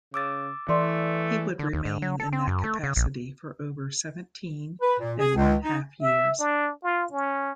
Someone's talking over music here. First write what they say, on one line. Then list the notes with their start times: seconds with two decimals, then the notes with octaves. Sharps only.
He would remain in that capacity for over seventeen and one-half years.
0.14 C#3 D6 E6 A6
0.69 E3 A3 B4 D5 C6
1.59 D3
1.73 D#2
1.85 G#2
2.02 F#3
2.20 A4
2.33 C4
2.47 F#2
2.64 A3
2.83 C#3
2.96 A#1
4.82 B4
4.99 A#2
5.19 G#4
5.34 C#2
5.63 D#4
6.02 E5
6.40 D4
6.84 F4
7.12 C#4